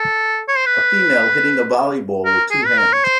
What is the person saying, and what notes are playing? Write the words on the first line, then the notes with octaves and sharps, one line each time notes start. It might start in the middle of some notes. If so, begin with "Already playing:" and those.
A female hitting a volleyball with two hands.
Already playing: A4
C#5
C5
B4
A#4
G#4
B4
A#4
C#5
C5